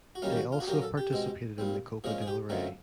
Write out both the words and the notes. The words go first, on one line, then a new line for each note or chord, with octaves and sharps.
They also participated in the Copa del Rey.
F#4
F#2 D#3 G3 A#3 C#4 F4
G4
F#4
F4
F#4
A#2 F#3 A#3 C#4 G4
A4
G4
B2 G#3 C4
A#2 G3 C4
A#2 F3 G#3 C#4 G#4
G#4
G4
F#2 D3 F3 A3 C4 D#4